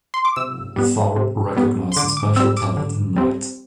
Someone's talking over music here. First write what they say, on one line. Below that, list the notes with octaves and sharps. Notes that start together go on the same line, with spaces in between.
Tharpe recognized a special talent in Knight.
C6
D6
C3 E6
G3 B3
C3
G3 B3
C6
D3 D6
D6
G3 C4 E6
D6
D3
G3 C4